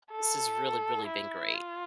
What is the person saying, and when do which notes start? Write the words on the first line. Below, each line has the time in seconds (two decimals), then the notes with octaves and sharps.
this has really, really been great.
0.12 A4
1.07 E4
1.55 F4